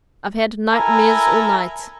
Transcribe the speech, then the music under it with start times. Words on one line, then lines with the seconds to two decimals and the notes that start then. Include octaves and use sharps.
"I've had nightmare all night!"
0.72 E4 A4 A#4 G#5 A#5